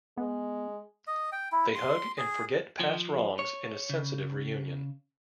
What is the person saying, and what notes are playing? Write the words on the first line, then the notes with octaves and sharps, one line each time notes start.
They hug and forget past wrongs in a sensitive reunion.
G#3 B3
D#5
G5
E4
C6
G#4
F3
C#5
C#3